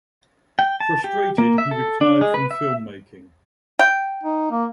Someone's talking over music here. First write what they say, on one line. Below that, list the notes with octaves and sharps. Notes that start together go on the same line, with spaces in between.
Frustrated, he retired from filmmaking.
G5
A5
G4
A#3
E5
A4
D4
G#3
B4
E5
G5
D#4
A#3